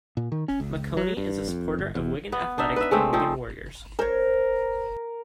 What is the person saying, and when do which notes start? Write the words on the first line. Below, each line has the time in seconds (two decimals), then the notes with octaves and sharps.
Maconie is a supporter of Wigan Athletic and Wigan Warriors.
0.17 A#2
0.32 D#3
0.48 C#4
0.60 C#2
0.97 F#3
1.17 G2
1.48 F2
1.79 G1
1.95 E2
2.32 B3
2.58 D4 D#4 E5
2.76 B4 E5
2.91 G#3 A3 C4
3.13 F3 C4 D#4
3.99 A#4 C5 C#5